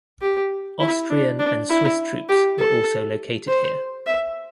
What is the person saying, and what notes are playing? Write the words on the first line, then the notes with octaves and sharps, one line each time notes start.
Austrian and Swiss troops were also located here.
G4
E4
D4
D4
E4
G4
A4
C5
E5